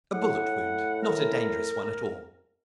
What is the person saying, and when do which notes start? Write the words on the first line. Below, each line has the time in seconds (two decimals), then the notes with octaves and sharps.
"A bullet wound--not a dangerous one at all."
0.13 A2 F#5
1.02 A#4